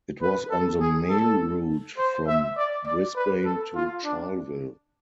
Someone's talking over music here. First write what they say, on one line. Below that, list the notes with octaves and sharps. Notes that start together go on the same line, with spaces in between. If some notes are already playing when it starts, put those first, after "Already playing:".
It was on the mail route from Brisbane to Charleville.
B4
A4
G#4
A4
C5
E5
D5
D5
B4
A4
F4
D4